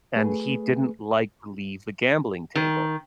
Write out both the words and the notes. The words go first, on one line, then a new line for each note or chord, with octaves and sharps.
And he didn't like to leave the gambling table.
A3 G#4 B4
D#3